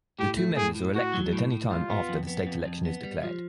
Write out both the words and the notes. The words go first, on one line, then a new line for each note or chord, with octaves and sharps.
The two members are elected at anytime after the state election is declared.
A2 G4
A3
A2 G#4
A2
A2 F#4
F#3
A2
A2
G3 F4
B3
F2
B3
F2
F2
B3
G3
F3